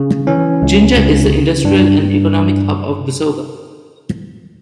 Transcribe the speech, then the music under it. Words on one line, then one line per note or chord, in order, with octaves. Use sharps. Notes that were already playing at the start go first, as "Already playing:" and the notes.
Jinja is the industrial and economic hub of Busoga.
Already playing: C#3
E3 C#4
C#2
C#2
C#3
G2 D4
G2